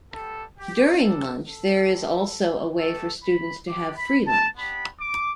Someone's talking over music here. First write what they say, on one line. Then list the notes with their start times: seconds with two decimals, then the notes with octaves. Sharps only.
During lunch, there is also a way for students to have free lunch.
0.14 G3 B3 G4 A4
0.58 G4
1.02 G3 D4 G4 A4
1.46 A4
1.91 A3 E4 G4
2.79 A3 G4 A4
3.24 B5
3.68 B3 D4 G4 D6
3.98 B5
4.28 A5
4.57 B3 D4 G4 B5
5.01 D6